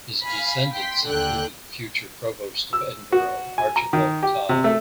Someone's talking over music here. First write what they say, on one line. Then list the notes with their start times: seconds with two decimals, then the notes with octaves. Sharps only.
His descendants included the future Provost of Edinburgh Archibald Tod.
0.24 F5 G#5 B5
0.76 G5 C6 B6
1.07 D#2 D3 G5 F#6
2.73 E6
3.12 F#4
3.58 G#5
3.76 A#5
3.93 D#3
4.23 G4
4.49 C3
4.64 A3